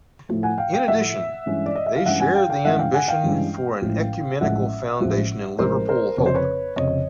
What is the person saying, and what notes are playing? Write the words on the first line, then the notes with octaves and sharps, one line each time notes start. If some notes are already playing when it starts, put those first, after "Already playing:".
In addition, they shared the ambition for an ecumenical foundation in Liverpool Hope.
A2 F3 A3
F#5 G#5
F5 G5
F5 G5
A2 F3 A3 E5 F#5
G2 E3 G#3 C#4
D5
D#5
E5
F5
G2 E3 G#3 C#4 E5 F#5
F#5 G#5
F5 G5
F5 G5
G2 E3 G#3 C#4 E5 F#5
F5 G5
F#5 G#5
F5 G5
G2 E3 G#3 C#4
A1 A2 F3 G#3
A1 A2 F3 G#3 E5 F#5
A1 A2 F3 G#3
A1 A2 F3 G#3 A#4 C5
A#4 C5
F1 F2 C#3 C#5
C5
B4 C#5
F1 F2 C#3 C#5 D#5